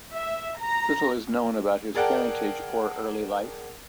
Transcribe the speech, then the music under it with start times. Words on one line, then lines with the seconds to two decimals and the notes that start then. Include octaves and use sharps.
Little is known about his parentage or early life.
0.15 E5
0.60 A#5
1.95 G#4 A#4 D5 F#5 G5 A5